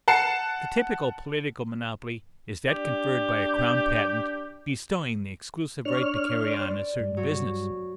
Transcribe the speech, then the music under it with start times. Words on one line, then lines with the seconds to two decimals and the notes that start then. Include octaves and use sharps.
The typical political monopoly is that conferred by a crown patent bestowing the exclusive right to carry on a certain business.
0.08 F#5 A5 C7 C#7 E7
2.69 D4 G4
5.85 D4 C#5 F6
6.47 C5 D5
7.00 G2
7.17 F#3